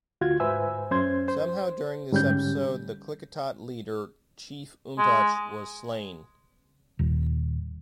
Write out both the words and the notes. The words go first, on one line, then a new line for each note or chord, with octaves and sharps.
Somehow during this episode the Klickitat leader, Chief Umtuch, was slain.
D2 F4 F#4 G#6
G#2 B4 C5 E5 G#5 E6
F#2 C#4 C5 C6 G#6
C5
G#2 D3 G3 C#4 G6
G#3
D#1